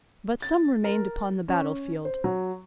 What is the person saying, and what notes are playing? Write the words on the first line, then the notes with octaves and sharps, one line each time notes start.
But some remained upon the battlefield.
A6
A#4
C#4
C5
F#3